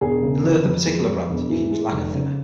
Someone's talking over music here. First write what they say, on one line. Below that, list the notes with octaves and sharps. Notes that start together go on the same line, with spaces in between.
In lieu of their particular brand, you can use lacquer thinner.
E1 G#4
C#3
F3
F2
G#3
F2
E1
E3
G#3
F1
C#3